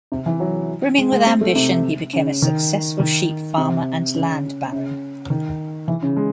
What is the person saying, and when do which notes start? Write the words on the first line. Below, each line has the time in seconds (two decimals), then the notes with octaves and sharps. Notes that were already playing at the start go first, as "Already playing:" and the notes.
Brimming with ambition, he became a successful sheep farmer and land baron.
0.12 C3
0.26 E3
0.40 F#3
0.98 G#3
1.12 G#3
1.26 C4
1.41 A3
1.55 C3
2.13 C#3
2.42 D#3
3.00 D#3
3.58 C3
4.15 C#3
4.72 C#3
5.30 D#3
5.88 E3
6.03 C#3
6.17 G#3